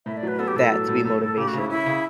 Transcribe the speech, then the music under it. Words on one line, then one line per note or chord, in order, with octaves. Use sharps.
that to be motivation.
A2 E5
D5
F#3 B4
B3 A4
G4
A2 A4
F#3
A2
A2
A2
C#3 G4
F#4
C#3
E4
C#4 E4
C#3